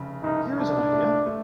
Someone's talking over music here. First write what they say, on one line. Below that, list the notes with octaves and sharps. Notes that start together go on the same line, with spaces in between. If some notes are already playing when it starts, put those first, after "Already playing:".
Here is an idea!
Already playing: F1 C#3
C2 D#4
C2 D4
A3
A3